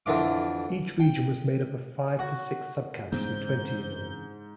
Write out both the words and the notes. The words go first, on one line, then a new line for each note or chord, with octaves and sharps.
Each region was made up of five to six subcamps, with twenty in all.
F2 D3 E3 F4 D6
G5
F#4
G#2 C#3 E3 C4 C5 G6